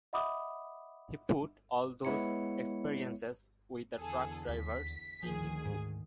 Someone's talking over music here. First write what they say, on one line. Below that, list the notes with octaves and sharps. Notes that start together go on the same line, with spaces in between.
He put all those experiences with the truck drivers in his book.
D#5 E5 F#5 B5 D6 D#6
G#3 B3 E4 C#5 C#7
E2 D3 G#4 A4
D#2 B6
D2 D#3 F3 G#4
G#2